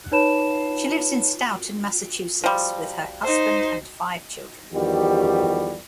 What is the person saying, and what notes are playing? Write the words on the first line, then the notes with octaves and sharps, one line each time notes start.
She lives in Stoughton, Massachusetts with her husband and five children.
D#4 B4 C#5 A5 B5 E7
F3 G3
D#4 C5
E2 D#3 F3 G3 F#4 G4